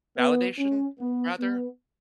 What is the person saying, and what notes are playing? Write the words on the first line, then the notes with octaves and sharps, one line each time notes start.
Validation rather?
B3
C#4
B3
B3